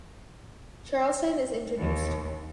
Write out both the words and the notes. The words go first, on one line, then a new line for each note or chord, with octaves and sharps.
Charleston is introduced.
D#2